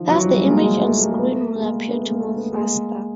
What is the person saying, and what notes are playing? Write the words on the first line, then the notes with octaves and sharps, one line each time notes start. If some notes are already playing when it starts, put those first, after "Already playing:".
Thus the image on screen will appear to move faster.
Already playing: D#3 F3
E3 F#3
F3 G3
G#3 A#3
F#3 G#3
G3 A3
G#3 A#3
A3 B3
G#3 A#3
A3 B3
G#3 A#3
A3 B3
A3 B3
G#3 A#3